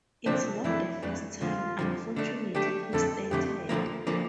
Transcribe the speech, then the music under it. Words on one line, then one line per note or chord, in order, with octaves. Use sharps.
"It's not the first time, unfortunately," he stated.
D2 C3 F3 A3 C4 D4
F2 E3 A3 D4 E4
F2 E3 A3 D4
F2 D3 F3 F4
F2 D3 F3
D3 A3 D4
D3 A3 D4 G4
F2 D3 A3 A4
F2 D3 A3 G4
D2 D3 F3 A3 A#3
D3 F3 A#3